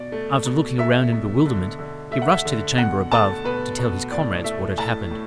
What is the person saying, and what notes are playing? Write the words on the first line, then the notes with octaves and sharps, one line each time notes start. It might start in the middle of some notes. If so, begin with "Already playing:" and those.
After looking around in bewilderment, he rushed to the chamber above, to tell his comrades what had happened.
Already playing: B2 D5
A3
B2
B2 E5
B2
D3
D3
A3 E5
F#5
E5
D3
B2 F#5
A3 A5
B2 B4
B2
A2 D5
A3 E5
A2 A5
A2